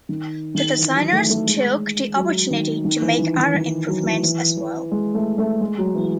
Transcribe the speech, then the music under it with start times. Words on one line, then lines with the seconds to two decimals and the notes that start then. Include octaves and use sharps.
The designers took the opportunity to make other improvements as well.
0.09 D#3
0.55 D#3
0.78 E3
0.95 F#3
1.13 A3
1.29 A3
1.47 G#3
2.16 F#3
2.50 D#3
2.85 D#3
3.02 E3
3.19 D#3
3.37 D#3
3.54 D#3
3.88 F#3
4.05 E3
4.23 E3
4.57 E3
4.91 G#3
5.14 A3
5.38 A3
5.61 G#3
5.78 F#3
5.95 E3